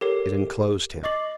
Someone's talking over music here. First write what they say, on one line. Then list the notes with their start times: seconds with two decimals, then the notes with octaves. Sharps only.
It inclosed him.
0.01 G4 A4 A#4 C#5 C7
1.03 D#5 C#6 D6 A6 C7 F#7